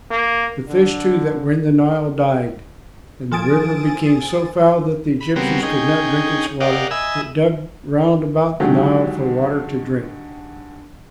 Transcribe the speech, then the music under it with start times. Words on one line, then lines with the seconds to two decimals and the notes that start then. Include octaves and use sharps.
The fish, too, that were in the Nile died, and the river became so foul that the Egyptians could not drink its water, but dug round about the Nile for water to drink.
0.11 A#3
0.67 D3
3.32 F3 A4 G#5 D#6 A6 D7
5.21 B5
5.36 C#3 G3 B3 C4 F#4 A#4
5.63 C#4 D#4 G#4 G5
6.60 G4 A#4 D5 D#5 F5 F#5
6.91 D#5 E5 G#5 B5 E6
8.60 D3 D#3 F#3 G#3 G4